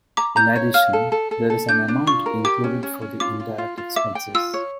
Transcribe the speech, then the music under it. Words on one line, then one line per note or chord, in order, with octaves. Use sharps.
In addition, there is an amount included for the indirect expenses.
A#5 D6
A#5 G6
C#5
F5 F6
A4
A4
A4
A4
D4 G6
D4
F4 C#6
A#4
G4 D6
C#4
C#4
C#4
F4 D6
F4
F4
F4
E5 D6
G5
F4 E6
C#5